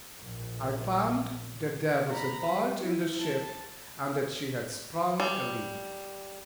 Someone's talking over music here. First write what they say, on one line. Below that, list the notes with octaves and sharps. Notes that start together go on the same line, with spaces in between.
I found that there was a bulge in the ship, and that she had sprung a leak.
A#1 A#2
A#5 B5
G3
E4
A5
G3